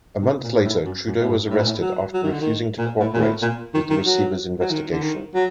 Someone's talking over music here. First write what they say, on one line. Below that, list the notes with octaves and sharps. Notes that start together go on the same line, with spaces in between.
A month later Trudeau was arrested after refusing to cooperate with the receiver's investigation.
C3
A#2
A2
F#2
F#2
A2
G2
A2
A#2
A2
F#3
F#3
D#3
D3
D#3
A#2
A2
A#2
A2
A#2
D#3
D#3
F#3
F#3
D#3
D3
D#3
F#3